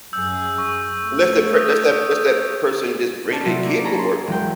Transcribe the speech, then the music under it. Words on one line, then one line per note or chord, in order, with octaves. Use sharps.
Unless that per less that less that person just bring their kid to work,
F#2 G#4 E6 G6
C#6
A3
D#6 G6
B3 C#4 D#4 D5 A5
C3 F#3 B3 C4
A#3 D6
G#4 A4 C#5 A#5 B5
C6
E1 F#3 G5